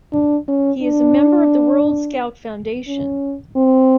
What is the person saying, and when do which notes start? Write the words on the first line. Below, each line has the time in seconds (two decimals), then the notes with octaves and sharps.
He is a member of the World Scout Foundation.
0.13 D4
0.48 C#4
0.82 D4
2.87 C#4
3.56 C4